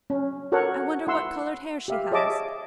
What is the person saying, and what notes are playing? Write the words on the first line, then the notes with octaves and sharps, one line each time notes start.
I wonder what coloured hair she has.
C#4
F#4 A4 A#4 C#5 F#5
E4 F#5 C6 E6
G4 E5 F5
G#4 C#5 D#5 E5 A5 D6